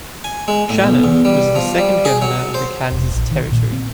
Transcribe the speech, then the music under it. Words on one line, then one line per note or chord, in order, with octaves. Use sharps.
Shannon was the second governor of the Kansas Territory.
G#5
G#3
A2
B1
E2
G3
F3
G3
G#4
F#3
C5
E1
A#1
D#3
A#2
C4